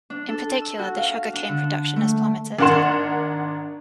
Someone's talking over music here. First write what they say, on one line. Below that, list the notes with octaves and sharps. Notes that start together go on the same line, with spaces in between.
In particular, the sugar cane production has plummeted.
D4
A4
E6
F#4
F5
D4
D3
A3
G#1 D4 A#4 F#5 C6 E7